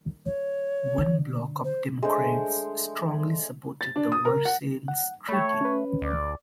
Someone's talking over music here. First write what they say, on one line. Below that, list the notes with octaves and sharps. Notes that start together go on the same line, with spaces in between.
One bloc of Democrats strongly supported the Versailles Treaty.
C#5
D3
C5
G#3 A3 D4 C5
A6
D4
D#6
A#4
F#5
F#5
A3 C#5 G5 B5
C#4 B4
D2 D5